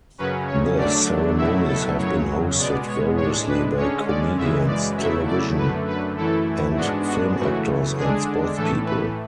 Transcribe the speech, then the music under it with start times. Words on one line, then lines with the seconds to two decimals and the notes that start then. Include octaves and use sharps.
The ceremonies have been hosted variously by comedians, television and film actors, and sportspeople.
0.18 F#2 C#3 F#3 C#4 B4
0.48 C#5
0.77 D3 F#3 A3 D4 D5
1.37 B2 F#3 A3 E4 E5
1.67 A4
1.97 F#2 C#3 F#3 C#5
2.57 B2 G#3 B3 D5
2.87 C#5
3.17 A2 G#3 D4 C#5
3.48 B4
3.77 D3 G#3 C#4 C#5
4.07 D5
4.37 F#2 C#3 E3 G#3 E5
4.67 D5
4.97 C#3 F#3 A3 E4 E5
5.27 D5
5.57 F#2 D3 A3 B4
5.88 B4
6.17 F#2 E3 A3 E4 A4
6.76 G#2 G#3 B3 D4 F#4
7.07 F#4
7.37 F#2 C#3 E3 A3 F#4
7.97 D3 G#3 D4 G#4
8.56 A2 E3 A3 A4
8.86 B4